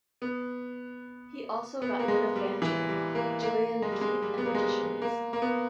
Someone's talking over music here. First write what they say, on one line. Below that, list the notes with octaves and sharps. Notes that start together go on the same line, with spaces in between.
He also got rid of banter, Gillian McKeith and magicians.
B3
B3
A#3
G#3
G3
E3
G3
A#3
A#3
G#3
G3
G#3
G3
B3
A#3
G#3
G3
A#3
A#3
B3